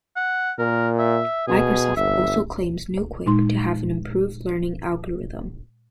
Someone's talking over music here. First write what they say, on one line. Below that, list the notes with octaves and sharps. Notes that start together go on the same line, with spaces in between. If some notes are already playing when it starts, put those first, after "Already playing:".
Microsoft also claims New-Quick to have an improved learning algorithm.
F#5
A#2 A#4
E5
B2 G#4
G1 E5
A#2 G#3 D#4 C6